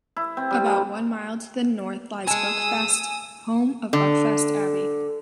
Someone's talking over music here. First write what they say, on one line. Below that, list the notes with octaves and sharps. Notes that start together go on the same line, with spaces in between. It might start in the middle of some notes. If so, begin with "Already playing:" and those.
About one mile to the north lies Buckfast, home of Buckfast Abbey.
E4
C4
G3
A#3
G#3 G#5 A5 D#6 E6
D3